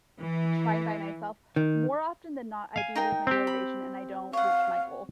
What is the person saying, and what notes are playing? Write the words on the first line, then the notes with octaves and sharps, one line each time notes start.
trying by myself, more often than not, I do lose my motivation, and I don't reach my goal.
E3
D#3
F5 G#5
D#4 A#4 G5
C4 G4
B5
C#5 F5 F#5